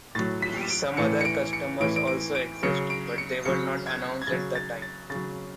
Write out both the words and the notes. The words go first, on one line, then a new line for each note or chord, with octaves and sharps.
Some other customers also exist, but they were not announced at the time.
A2 F#3 A6
B6
D7
A2 E3 C#7
C#7
D7
C#7
A2 E3 D7
D7
D7
D7
C#3 F#3 C#7
D7
C#7
C#3 F#3 C#7
G#6
G#6
C#3 F#3 A6
A6
A6
C#3 A6
F#3